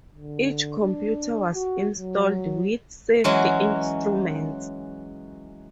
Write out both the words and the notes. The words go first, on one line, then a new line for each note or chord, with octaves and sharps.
Each computer was installed with safety instruments.
D3
D4
F#4
F#3
E3 F#3 G#3 C#4 F#4